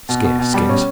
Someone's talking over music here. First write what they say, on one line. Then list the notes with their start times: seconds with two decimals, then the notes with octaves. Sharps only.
Scarce, scarce!'
0.09 B2
0.24 B2
0.39 B2
0.54 G3
0.69 C#4